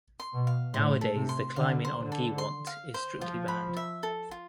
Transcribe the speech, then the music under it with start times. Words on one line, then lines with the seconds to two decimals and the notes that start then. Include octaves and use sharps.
Nowadays the climbing on Giewont is strictly banned.
0.20 C6
0.34 B2
0.47 F5
0.74 A2 C5
1.01 A4
1.15 C3
1.29 C6
1.56 D3 F5
1.85 C5
1.98 D3
2.12 A4
2.38 C6
2.67 F5
2.94 C5
3.21 F3 F4
3.48 B5
3.77 E5
4.03 A4
4.31 F4